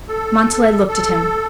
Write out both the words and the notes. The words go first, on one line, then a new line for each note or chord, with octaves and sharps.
Montalais looked at him.
A4
A4